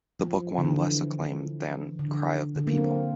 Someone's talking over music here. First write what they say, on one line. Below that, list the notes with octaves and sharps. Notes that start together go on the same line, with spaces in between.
The book won less acclaim than "Cry of the People".
F3
D3
E3
D3
D3
A#3
C4